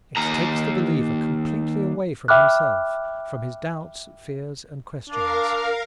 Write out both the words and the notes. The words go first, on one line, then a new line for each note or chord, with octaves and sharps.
It takes the believer completely away from himself, from his doubts, fears, and questions.
D#2 A#5
E5 G5 B5 D6 F6 F#6
D4 A#4 F5